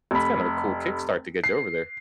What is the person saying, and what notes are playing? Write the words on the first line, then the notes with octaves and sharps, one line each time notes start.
that's kind of a cool kick start to get you over there.
F1 B5
C7